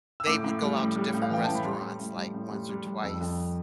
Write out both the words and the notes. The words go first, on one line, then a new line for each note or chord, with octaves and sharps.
they would go out to different restaurants, like, once or twice.
E6
A2 D6
A2
G3
A2
G3
A2
F5
E3 G5
A2 A5
B5
G3 C6
G3
A2
G3
A2
G3
G3
G3
F2 E6
F2